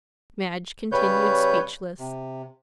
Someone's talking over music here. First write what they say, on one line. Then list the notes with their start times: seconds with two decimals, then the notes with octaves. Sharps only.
Madge continued speechless.
0.92 C#3 G3 B4 C#5 G6
1.99 C3